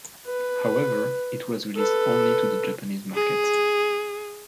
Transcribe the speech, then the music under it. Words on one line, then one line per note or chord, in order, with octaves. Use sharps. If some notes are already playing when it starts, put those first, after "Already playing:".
However, it was released only to the Japanese market.
B4
A4 B4
G#4